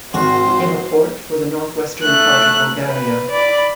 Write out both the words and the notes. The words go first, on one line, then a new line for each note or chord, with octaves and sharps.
It became a port for the northwestern part of Bulgaria.
G#1 F#4 C5 C6
A3 F#6
B4
D5 B5